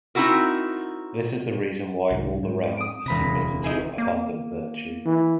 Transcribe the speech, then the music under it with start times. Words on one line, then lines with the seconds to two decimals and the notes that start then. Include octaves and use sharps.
This is the reason why all the realm has submitted to your abundant virtue.
0.15 C4 D#4 E4 F#4 A#4
2.11 C2 G#2 D#3
2.43 G#2
2.77 D#6 D7
3.06 E1 C3 G#3 B5 A#6
3.18 D2 C3
3.64 D#4 E4 G#4
3.98 A#3
5.06 E3